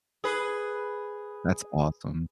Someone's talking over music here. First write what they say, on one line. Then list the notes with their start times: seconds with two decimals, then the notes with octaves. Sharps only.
That's awesome.
0.24 G#4 B4